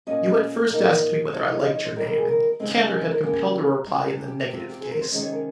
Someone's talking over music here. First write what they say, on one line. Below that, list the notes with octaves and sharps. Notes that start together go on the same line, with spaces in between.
You had first asked me whether I liked your name, and Candour had compelled a reply in the negative case.
A#2 F3 A#3 C#4 D#5
A#2 F3 A#3 D#4
F3 C4 D#4 C#5
D#5
C#5
D#5
C#5
C5
D#3 G3 C4 A#4
A#4
G#4
A#4
C#3 G#3 C4 D#4
A#4
C5
A#4
C#3 G3 A#3 C#4 G4
C3 G3 C#4
G4
G4
C3 F3 C4 G4
F4
G4
G#4
A#4
C5
C3 D#3 G#3 C#4 C#5
C#5
A#4